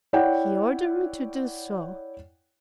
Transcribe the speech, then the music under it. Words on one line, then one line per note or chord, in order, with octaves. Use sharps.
He ordered me to do so.
E4 C#5 D5 F#5 G5